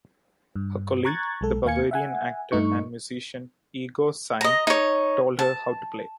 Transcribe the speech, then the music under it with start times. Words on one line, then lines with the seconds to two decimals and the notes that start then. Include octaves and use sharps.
Her colleague, the Bavarian actor and musician Igo Sym told her how to play.
0.56 G2
1.05 A#5 C#6 F#6 G#6 A6
1.41 B1 G#3 A4
1.65 D#2 A#3 F5 G#5 G#6 C#7
1.91 E5 F#5 G#5
2.52 G2 A3 D#4 C#6
4.41 D#5 A#5
4.67 D#4 C#5
5.39 A5